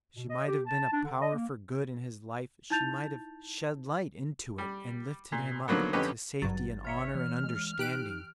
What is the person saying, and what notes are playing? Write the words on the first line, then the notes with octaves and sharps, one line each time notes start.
She might have been a power for good in his life, she might have shed light into it and lifted him up to safety and honour and understanding.
B2
D#5
G4
A5
D4
D3
D#5
A#3
D#4 E4 A5 G6 A6 F7
G3
A#2
D3 D#3 F3 F#3 A#3 B3
F2 D3 C#4 G4 B4 D#5
G#1 G2 F#3 A6
C#5 E5 F6 B6 C#7
E3 F6
G#3
D#4 G4 F#6 D7